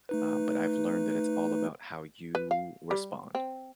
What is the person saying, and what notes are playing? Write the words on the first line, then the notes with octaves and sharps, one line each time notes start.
uh, but I've learned that it's all about how you respond.
A3 D#4 B4
B4
F5
G3
C4